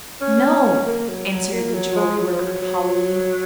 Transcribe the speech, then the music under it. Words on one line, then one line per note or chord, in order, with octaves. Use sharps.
"No," answered the jewelry worker, hollowly.
C#4
A#3
F#3
F#3
A#3
F#3
G#3
F#3
F3
F#3
F#3